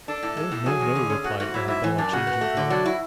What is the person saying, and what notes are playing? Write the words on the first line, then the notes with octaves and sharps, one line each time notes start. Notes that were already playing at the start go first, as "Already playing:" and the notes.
'Oh, no, no,' replied Arabella, changing colour.
D4 A4 A5
A2
G#3
A2
F#3 G#4 G#5
E2
D3
C#4
A3 F#4 F#5
G#2 F#4 F#5
F#3 E4 E5
G#2 E4 E5
E3
F#2 D4 D5
C#3 F#4 F#5
B3
A3
D3
F#3 D4 D5
E4 F#4